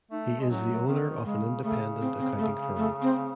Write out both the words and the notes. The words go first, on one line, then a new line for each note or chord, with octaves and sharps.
He is the owner of an independent accounting firm.
A3 D#4
G#3
F#3 C#4
A3
D#3 C4
C#3 G#3
C#3 A3
C4
C4
A3
A3
C4